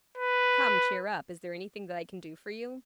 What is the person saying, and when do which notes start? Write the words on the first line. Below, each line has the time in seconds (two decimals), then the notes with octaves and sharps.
"Come, cheer up; is there anything that I can do for you?"
0.18 B4